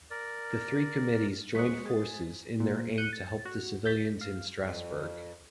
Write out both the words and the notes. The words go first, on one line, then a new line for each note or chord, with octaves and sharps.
The three committees joined forces in their aim to help the civilians in Strassburg.
A#4 D5
F#3 G#3 A#3 C5 F#5 C#6 D#6 B6
G#3 G#4 A6
A#2
F#6 G6 C#7 D#7
A6
F#4
G6 A6 B6
F5
F2